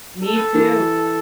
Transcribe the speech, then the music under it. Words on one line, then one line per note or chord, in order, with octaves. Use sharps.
Me too,
A4
E3